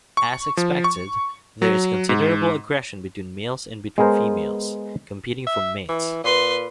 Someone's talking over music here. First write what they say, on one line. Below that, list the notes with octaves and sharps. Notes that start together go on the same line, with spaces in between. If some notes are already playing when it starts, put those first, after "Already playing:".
As expected, there is considerable aggression between males and between females, competing for mates.
C#6
F3
C#6
F#3
G#2
G#3 B3 G#4 A#4 C5
E5
E3
A#2 B4 C6